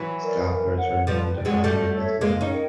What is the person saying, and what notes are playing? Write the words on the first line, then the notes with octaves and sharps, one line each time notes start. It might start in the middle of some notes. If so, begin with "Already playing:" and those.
Scholars remain divided as well.
Already playing: E3 F#3
A#4 D5
A#4
C#5 F#5
F3 G3 B4
D5 G5
F#3 G#3
G3 A3 F#4
A4 C#5 E5
G#3 A#3 G4
C#4 D#4
A#4 D#5 G5